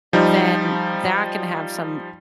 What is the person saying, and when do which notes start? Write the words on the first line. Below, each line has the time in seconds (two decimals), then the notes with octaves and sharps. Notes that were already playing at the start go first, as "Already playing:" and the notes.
then that can have some
0.13 F3 G3 D#4